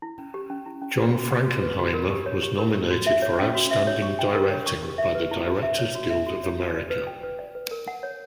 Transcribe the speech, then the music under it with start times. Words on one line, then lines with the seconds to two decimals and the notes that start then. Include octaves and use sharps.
John Frankenheimer was nominated for Outstanding Directing by the Directors Guild of America.
0.02 E4
0.19 C#4
0.34 G4
0.50 C#4
0.66 E4
0.82 C#4
0.98 B4
1.14 F#4
1.31 F#5
1.46 F#4
1.62 B4
1.79 F#4
1.94 A#4
2.10 G4
2.26 C#5
2.43 G4
2.58 A#4
2.74 G4
2.90 F#4
3.07 E5
3.22 C#5
3.39 C#4
3.55 F#4
3.71 E5
3.87 C#5
4.02 C#6
4.19 G5
4.35 A#4
4.51 C#5
4.66 C#6
4.83 G4
4.98 E5
5.15 B4
5.31 E4
5.46 G4
5.63 E5
5.79 C#5
5.95 F#4
6.10 E5
6.27 F#4
6.43 C#5
6.58 F#4
6.75 D5
6.90 B4
7.07 G5
7.23 B4
7.39 D5
7.55 B4
7.71 A#4
7.88 F#5
8.03 C#5